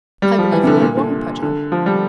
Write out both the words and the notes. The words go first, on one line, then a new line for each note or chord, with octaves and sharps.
"I believe you are wrong, Paganel."
G3
F3
E3
C3
D3
A#2
D3
D3
F3
G3